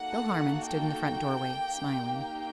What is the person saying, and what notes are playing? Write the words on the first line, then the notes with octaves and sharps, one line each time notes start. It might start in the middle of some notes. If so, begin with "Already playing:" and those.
Bill Harmon stood in the front doorway, smiling.
Already playing: A#3 D#4 F#4 A4 F#5
G5
A#3 D#4 G4